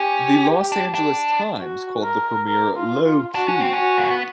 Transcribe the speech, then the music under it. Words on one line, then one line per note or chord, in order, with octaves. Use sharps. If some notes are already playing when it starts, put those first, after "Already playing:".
The "Los Angeles Times" called the premiere "low-key".
Already playing: C#4 G4
D4
D4
F#4
A#4
A#4
F4
F4
D4 F#4
C#4
C4
C#4
F#4
A#3
B3